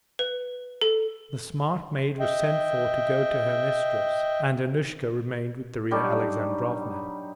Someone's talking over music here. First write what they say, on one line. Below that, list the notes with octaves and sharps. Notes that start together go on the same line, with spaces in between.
The smart maid was sent for to go to her mistress, and Annushka remained with Darya Alexandrovna.
B4
A4
D#5 E5 G5
F#3 G3 D4 D#4